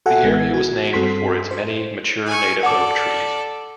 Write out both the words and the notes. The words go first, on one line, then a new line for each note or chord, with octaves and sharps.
The area was named for its many mature native oak trees.
F#4 A4 E5 F#5 G#5
A1 G#3 B3 G#6
F#4
G2 C4 F#4 A4 C6 B6
C5
G#5 C#6
A4 D5 F#5 D6